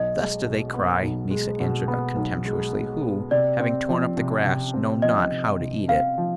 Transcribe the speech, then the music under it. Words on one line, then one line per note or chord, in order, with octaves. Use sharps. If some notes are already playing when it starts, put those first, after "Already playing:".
"Thus do they cry," Mysa answered contemptuously, "who, having torn up the grass, know not how to eat it."
Already playing: B1 D#5
G#3
B2
B3
B1
G#3
B2
B3
B1
G#3
B2
B3
C3 D5
C4
F3
C3
C3
C4
F3 D#5
C3
C3
C4 F5
F3